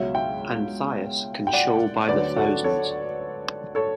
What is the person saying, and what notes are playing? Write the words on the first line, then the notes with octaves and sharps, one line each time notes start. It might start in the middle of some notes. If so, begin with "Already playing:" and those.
Anthias can shoal by the thousands.
Already playing: C#2 B2 F#3 C#5 E5
E5 G5
G5
D5 F#5
D2 D3 F#3 B4 D5
F#4 A4
A4 C#5
A4 C#5